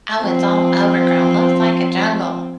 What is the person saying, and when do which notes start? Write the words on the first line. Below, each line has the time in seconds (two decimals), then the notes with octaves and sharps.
"Oh, it's all overgrown. Looks like a jungle."
0.22 F3 C4